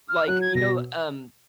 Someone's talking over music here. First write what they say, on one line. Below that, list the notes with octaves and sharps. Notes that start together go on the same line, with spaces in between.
like, you know, um,
F6
F#3 F#6
G#6
B2 A#6